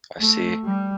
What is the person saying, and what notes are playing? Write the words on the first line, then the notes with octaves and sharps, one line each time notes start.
I see.
A3
G3